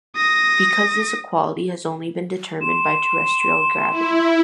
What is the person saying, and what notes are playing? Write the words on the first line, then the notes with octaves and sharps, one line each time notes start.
Because this equality has only been determined by terrestrial gravity.
D#6 A#6
C6 E7
E4